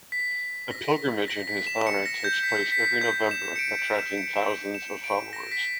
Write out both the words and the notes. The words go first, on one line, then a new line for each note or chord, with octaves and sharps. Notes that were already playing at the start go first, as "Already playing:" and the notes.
A pilgrimage in his honour takes place every November, attracting thousands of followers.
B6
A#6
A#6
B6
E7
C#7
A#6
G6
B6
B6
G6
E7
C#7
D7
D7
E7
C#7
E7
D7
E7
D7
A#6
B6